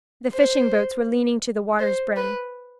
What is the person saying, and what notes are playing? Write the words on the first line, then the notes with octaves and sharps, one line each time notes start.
The fishing-boats were leaning to the water's brim.
C5
C5
B4